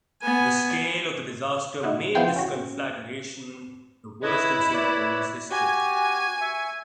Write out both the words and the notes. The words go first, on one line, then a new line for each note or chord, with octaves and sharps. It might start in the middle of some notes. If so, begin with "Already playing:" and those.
The scale of the disaster made this conflagration the worst in Singapore's history.
B3 G#5
D#4 E4 F#4
F3 B3 E4 F4 G5 C6
C#4 F#4
E4 B4 C#5 D#5
B4 C#5 D5
F#4 G4 G#5
E5 C#6